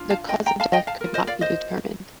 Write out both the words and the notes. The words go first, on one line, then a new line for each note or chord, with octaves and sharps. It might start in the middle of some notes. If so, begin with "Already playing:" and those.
The cause of death could not be determined.
Already playing: D4 F4
F5 A5
D#5 G5
G5 A#5
F5 A5
D#5 G5
F5 A5
F4 A#4
C5 D#5
D5 F5
C5 D#5